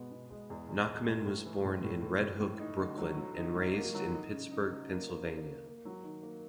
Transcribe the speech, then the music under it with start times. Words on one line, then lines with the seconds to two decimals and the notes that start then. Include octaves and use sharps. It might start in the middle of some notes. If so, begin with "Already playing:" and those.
Nachman was born in Red Hook, Brooklyn and raised in Pittsburgh, Pennsylvania.
Already playing: B2 G#3 B3
0.11 B2
0.30 G#3
0.50 E2
0.68 E2
0.87 G#3
1.07 A2
1.26 A2
1.46 E3
1.65 A2
1.84 A2
2.02 A2
2.21 A2
2.40 A2
2.59 D#4
2.79 D3
2.97 F#3
3.18 F#3
3.37 D#4
3.55 F#3
3.74 A#3
3.94 F#3
4.13 D#4
4.32 C#3
4.51 D#4
4.70 C#3
4.89 A#3
5.09 A#3
5.28 A#3
5.47 A#3
5.66 A#3
5.85 F#3
6.03 D#3
6.23 A#3